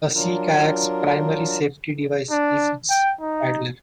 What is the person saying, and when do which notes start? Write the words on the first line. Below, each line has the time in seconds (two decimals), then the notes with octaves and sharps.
A sea kayak's primary safety device is its paddler.
0.14 F#3 D4 F4 A#4
2.31 D4
2.90 G5
3.21 D#4